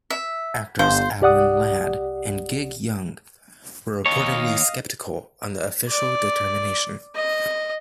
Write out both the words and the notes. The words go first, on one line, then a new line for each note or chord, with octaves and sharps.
Actors Alan Ladd and Gig Young were reportedly skeptical of the official determination.
E5
G1 C5 F5 C6
C2 G4 D5 F#5 D#6
D#2 C#5 D#5 F5
D5
D#5